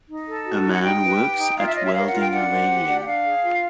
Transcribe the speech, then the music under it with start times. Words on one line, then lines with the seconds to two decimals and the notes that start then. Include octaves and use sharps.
A man works at welding a railing.
0.09 D#4
0.28 A4
0.46 F#4
0.65 D#4
0.73 F#5
0.83 D#4 G5
1.02 B4
1.20 G4
1.38 D#4
1.57 F4 F5
1.66 E5
1.75 C#5 D#5
1.85 E5
1.94 A#4 F5
2.07 F#5
2.12 F4
2.20 G5
2.32 D4 F#5
2.50 C5
2.69 G4
2.87 D4
3.01 F#5
3.05 D4 F5
3.24 G#4
3.43 F4